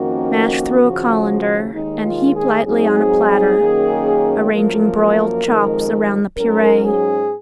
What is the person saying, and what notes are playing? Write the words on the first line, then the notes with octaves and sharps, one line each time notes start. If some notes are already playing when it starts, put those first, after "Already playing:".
Mash through a colander and heap lightly on a platter, arranging broiled chops around the puree.
Already playing: F2 D#3 A#3 C#4 F#4
D#2 C#3 F3
D#2 D#3 G#3 D#4
F4
G#4
G#2 F#3 C4 D#4 G#4
F#2 D#3 A#3 C#4
F#2 F3 A#3 A#4
F2 D#3 G#3
G#2 F#3 C#4 A#4
G#4